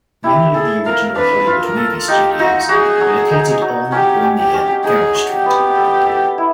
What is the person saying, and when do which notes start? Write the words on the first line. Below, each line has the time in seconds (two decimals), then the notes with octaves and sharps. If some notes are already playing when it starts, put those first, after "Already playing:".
Many of the original Hollywood movie studios were located on or near Gower Street.
0.24 E4 G4
0.54 G#4 A4
0.86 A#4 F5
1.16 D4 B4
1.47 F4
1.62 A#4
1.77 A4
2.08 D#4 G4
2.39 D#4 F#4
2.69 F#4 G#4
3.01 F#3
3.31 D#4
3.61 F#3
3.92 C#4 G4
4.23 C#4
4.38 G4
4.54 C#4
4.84 D#4 G#4
5.15 F#4
5.30 G4
5.46 B3
5.76 A4
6.06 A4
6.38 E4